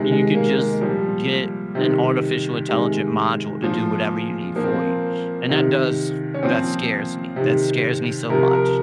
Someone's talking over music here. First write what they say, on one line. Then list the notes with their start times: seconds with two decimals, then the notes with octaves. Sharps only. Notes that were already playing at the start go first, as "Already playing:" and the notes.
you could just get an artificial intelligent module to do whatever you need for you? And that does well, that scares me. That scares me so much.
Already playing: C3 D#3 G#3
0.12 G#3
0.35 A#3
0.58 G#3
0.81 A#2 F3 G3
1.75 C3 D#3
2.69 C3 D#3 G#3
3.62 A#2 F3
4.56 A#2 F3 A#3
4.64 C4
4.73 A#3
5.49 C3 D#3
6.34 C#4
6.43 A#2 F3 C4
7.36 C3 D#3
8.30 C3 F3 A#4
8.53 A#4